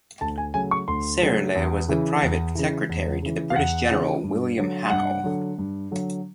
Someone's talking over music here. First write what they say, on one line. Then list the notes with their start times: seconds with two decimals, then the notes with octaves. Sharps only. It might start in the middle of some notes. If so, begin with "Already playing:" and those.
Serle was the private secretary to the British general William Howe.
0.21 D2 A5
0.38 G#5
0.54 C#3 F#3 A3 G#5
0.71 C#6
0.88 D2 C6
1.22 C#3 F#3 A3
1.55 E2
1.88 C#3 E3
2.22 E2
2.55 C#3 E3
2.89 E2
3.22 C#3 E3
3.50 F5
3.56 E2 F#5
3.90 C#3 E3
4.23 G2
4.57 D3 F#3
4.90 G2 F#5
5.24 D3 F#3
5.58 G2
5.91 D3 F#3